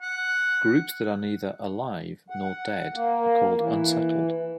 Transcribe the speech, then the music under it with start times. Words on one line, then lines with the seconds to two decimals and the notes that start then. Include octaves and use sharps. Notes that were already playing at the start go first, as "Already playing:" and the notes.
Groups that are neither "alive", nor "dead", are called "unsettled".
0.03 F#5
2.30 F#5
2.94 A#3
3.58 E3